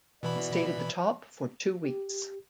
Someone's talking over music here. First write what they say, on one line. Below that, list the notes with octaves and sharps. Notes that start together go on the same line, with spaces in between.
It stayed at the top for two weeks.
B2 E3 F#4 B4 D5 B5
G4